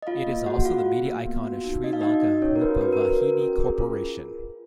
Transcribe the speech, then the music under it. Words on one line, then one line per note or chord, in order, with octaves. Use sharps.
It is also the media icon of Sri Lanka Rupavahini Corporation.
D#5
F4 F5
A#3
F#4 G#4 F#5
F4 F5
F4
A#3
B3
F#4
D#4
D#4 D#5
F5
D#4 F#4 D#5
D#4
C#4 C#5
A#4
F#4 B4
F#4 B4
A#4
F#4
A#4
F#4
C#4
G#4
F4
F4